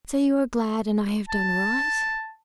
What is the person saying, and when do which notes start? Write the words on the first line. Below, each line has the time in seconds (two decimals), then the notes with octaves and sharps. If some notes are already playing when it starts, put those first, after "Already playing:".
"So you are glad and I have done right?"
1.29 A5